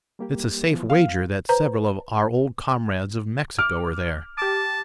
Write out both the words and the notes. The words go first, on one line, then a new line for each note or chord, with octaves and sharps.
"It's a safe wager that several of our old comrades of Mexico are there."
G3 A#3 G4
E3 F3 B3
F5
B4 C5 A#5
D6 F6
G4 A5 D6